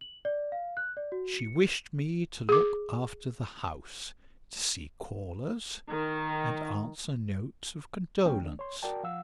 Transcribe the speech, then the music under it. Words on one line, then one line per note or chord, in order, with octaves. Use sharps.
She wished me to look after the house, to see callers, and answer notes of condolence.
F#7
D5
F5
F#6
D5
F#4
C#7
G#4 D6
D#3
C#2 F#3 A3 C#4 G5
D#3 D4
C#5 C6
F#4 A#4 D5 G5 A5
F3 F5 F#5 E6